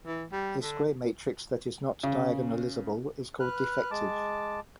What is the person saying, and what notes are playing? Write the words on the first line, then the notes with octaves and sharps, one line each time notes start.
A square matrix that is not diagonalizable is called defective.
E3
G3
D3
C#3
B4 F6 F#6
G#3 A5 D6